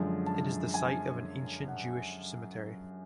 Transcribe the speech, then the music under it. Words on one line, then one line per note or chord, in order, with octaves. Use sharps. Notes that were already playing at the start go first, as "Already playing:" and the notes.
It is the site of an ancient Jewish cemetery.
Already playing: F#2 D3 F3 G#3
A5
G#5
F#5